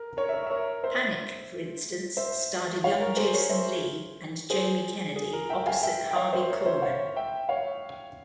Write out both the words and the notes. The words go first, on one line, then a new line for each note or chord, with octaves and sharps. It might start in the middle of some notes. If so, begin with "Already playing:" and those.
"Panic", for instance, starred a young Jason Lee and Jamie Kennedy opposite Harvey Korman.
Already playing: A#4
A#4 C#5
E5
A#4 C#5
E5
A#4 C#5
C5 E5
C5 E5
C#5 F5
A#4
G#4 C5
A#4 C#5
C5 E5
G#4 C5
G#4
A#4
E5 G5
F5 G#5
E5 G5
G5
C#5 F5
C5 E5
A#4 C#5
C#5
C5 E5
C#5 F5
E5 G5
C#5 F5